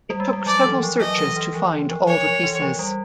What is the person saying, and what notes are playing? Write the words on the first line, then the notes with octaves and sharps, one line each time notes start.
It took several searches to find all the pieces.
G3
G#3
G3
F#3 D5
E3
F3
F#3 D#5
E3
E3
F3
E3
F3
F3 C#5
F3
E3
F3
G3